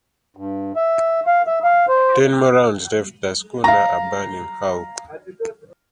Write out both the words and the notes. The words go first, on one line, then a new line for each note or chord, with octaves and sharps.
Ten more rounds left the schooner a burning hulk.
G2
E5
F5
E5
F5
C5
F5 A#5